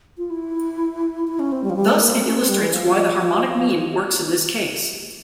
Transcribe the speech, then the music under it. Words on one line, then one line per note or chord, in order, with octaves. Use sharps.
Thus it illustrates why the harmonic mean works in this case.
F4
E4
E4
C#4
C4
G3
F3
G3
G#3
A#3
C4
C#4
C4
G3
E3
F3